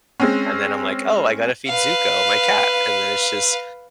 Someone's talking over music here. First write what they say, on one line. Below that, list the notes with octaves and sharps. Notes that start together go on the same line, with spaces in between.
And then I'm, like, "Oh, I gotta feed Zuko", my cat, and then it's just
G#3 C4 C#4
B4 F5